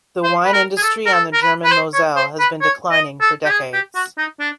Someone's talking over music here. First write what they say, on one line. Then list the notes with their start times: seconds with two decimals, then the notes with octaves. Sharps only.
The wine industry on the German Moselle has been declining for decades.
0.23 C5
0.45 B4
0.53 A#4
0.77 G#4
0.83 A4
1.06 A#4
1.13 A4
1.34 A#4
1.42 B4
1.64 B4
1.72 C5
1.94 C#5
2.16 C5
2.40 B4
2.62 C#5
2.91 D#5
3.21 A4
3.45 G4
3.50 G#4
3.73 G4
3.95 F#4
4.18 D#4
4.40 D4